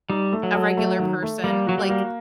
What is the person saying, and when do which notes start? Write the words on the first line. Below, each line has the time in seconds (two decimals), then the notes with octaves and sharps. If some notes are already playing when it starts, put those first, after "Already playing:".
a regular person, like
0.10 G3 D#4
0.33 A3
0.43 F#3
0.55 A4
0.77 A3
0.99 D#3
1.22 A3
1.44 G3 A#3
1.67 F#3 F#4
1.78 G3
1.89 A#3